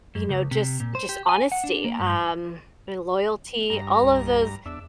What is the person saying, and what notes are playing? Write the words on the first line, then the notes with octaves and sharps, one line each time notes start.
you know, just just honesty, um, and loyalty, all of those
F#2
C#2
C3
A#2
C5
G4
G#5
F#5
D4
A#3
G2
G2 A#5
C2
E2 D4 E5